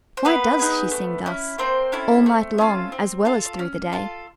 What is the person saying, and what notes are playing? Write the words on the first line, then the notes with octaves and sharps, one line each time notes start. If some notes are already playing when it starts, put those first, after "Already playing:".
Why does she sing thus, all night long as well as through the day?
C5
A#3 B3 B4
D#4 G#4
A3
C#4 E4
A#3 C4 C5
C#4 E4 A4
A3
C#4 F4 A4
C4
F4 A4
C#4
F4 A4